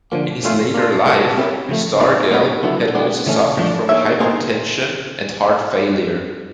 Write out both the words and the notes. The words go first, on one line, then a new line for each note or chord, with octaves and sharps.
In his later life, Stargell had also suffered from hypertension and heart failure.
D3 F3 A#3
A#2 F3 A3 C#4 F4
A#3 D4 F4
G#3 C#4 F#4 A4
C4 E4 G4 A#4 C#5
C#3 F3 A3
C4 D#4 G#4 B4 D5
A#3 D#4 F#4 B4
D3 F#3 B3 E4
G#3 B3 D4
C#3 E3 A3 C#4
A2 F3 A3 D4
A#3 D#4 G#4 C#5 E5
A#3 D#4 G#4 C5